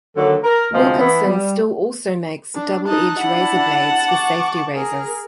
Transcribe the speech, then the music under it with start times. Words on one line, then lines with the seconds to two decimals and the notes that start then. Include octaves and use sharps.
Wilkinson still also makes double edge razor blades for safety razors.
0.15 D3 D#3 F#3 A#3 A4
0.43 A#4
0.73 D2 C3 F3 G#3 F5
0.98 E3 B3
1.26 G3
2.55 D4
2.88 D#4 A5 F#6
3.21 D4 E4 F#5 A5
4.09 C#6 D6
4.74 G#4 A#4